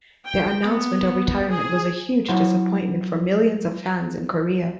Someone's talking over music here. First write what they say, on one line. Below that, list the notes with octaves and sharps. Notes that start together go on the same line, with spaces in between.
Their announcement of retirement was a huge disappointment for millions of fans in Korea.
G5
B3
G#4
F#3 E4 C5 C#5 F#5 C6